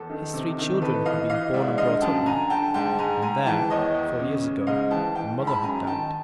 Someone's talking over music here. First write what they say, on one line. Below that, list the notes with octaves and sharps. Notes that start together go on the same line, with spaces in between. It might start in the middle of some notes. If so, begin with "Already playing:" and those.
His three children had been born and brought up there, and there, four years ago, the mother had died.
Already playing: E2 A4
D#3
C3
D#3
E3 A4 B4
E3 D#5 F5
E3 D#5 F5
G#2 D5 E5
D3 D#5 F5
F#2 G5 A5
D3 G#5 A#5
D3 G5 A5
G#2 G5 A5
G#2 G#5 A#5
G#2 G#5 A#5
E3 G5 A5
E2 C#5 D#5
E2
C#3
C#3
G#2 D#5 F5
E3 G5 A5
E3 G5 A5
G#2
A5 B5
F#2 G#5 A#5
D#3 G5 A5